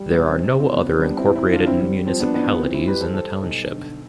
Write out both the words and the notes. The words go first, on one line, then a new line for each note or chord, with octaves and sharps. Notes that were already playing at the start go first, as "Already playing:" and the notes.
There are no other incorporated municipalities in the township.
Already playing: G3
B3
B1
C4
C3 C4
C4 E4
F3 B3
C4
G3 B3 D4
C4 E4
E2
C4 E4
D3 D4 F4
C4 E4
G3 C4
F3 C4
B3 D4
A1 B3 D4
B3
E3 C4
C4 E4
G3 G4 B4
A4 C5
G3 A4 C5
B1
D3